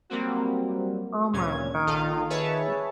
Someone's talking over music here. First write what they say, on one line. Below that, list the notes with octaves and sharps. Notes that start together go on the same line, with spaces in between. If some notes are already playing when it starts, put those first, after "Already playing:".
oh my god.
F#3 G3 A#3 C4 F#4
D2 A#2 C#3 C#4 G#6
A#1 D#3 F4 A4 D#5 F5
G#4 B4 C#5 E5 A5